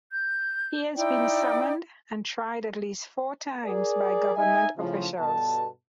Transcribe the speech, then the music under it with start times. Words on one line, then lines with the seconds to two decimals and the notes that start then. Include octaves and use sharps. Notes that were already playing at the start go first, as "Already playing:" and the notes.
He has been summoned and tried at least four times by government officials.
0.10 G6
0.96 D#4 E4 D5 G5
3.65 G#4 A#4 D5
4.36 D#4 D#5 E5 G#5
4.77 A2 C#3 F3
5.18 G2 B2 A4 A5